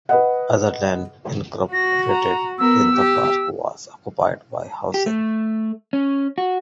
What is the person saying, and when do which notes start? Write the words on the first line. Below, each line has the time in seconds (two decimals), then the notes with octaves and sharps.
Other land incorporated in the park was occupied by housing.
0.09 B4 D#5 F#5
1.73 F#4 A#6
2.09 A#5
2.59 B3 A#4 E6
2.94 G4
4.94 G4
5.06 A3
5.93 C#4
6.38 F#4